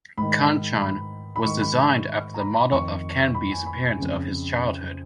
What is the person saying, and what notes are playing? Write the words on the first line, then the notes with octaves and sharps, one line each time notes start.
"Kanchan" was designed after the model of Kanbe's appearance of his childhood.
G#2 D#3 B5
B5
B5
G#2 D#3 C#6
B5
A#5
B5
B5
F2 D#3 C#6
B5
G#5
B5
F2 C#3